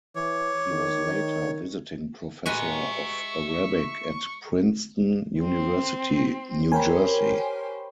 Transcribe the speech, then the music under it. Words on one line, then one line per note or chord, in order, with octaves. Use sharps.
He was later Visiting Professor of Arabic at Princeton University, New Jersey.
E3 C#5 D6
D#3
G#3 F#4 B4 E5 A#5 C#6
C4
G4 A#4 C5 C#5 G5 G#5 B5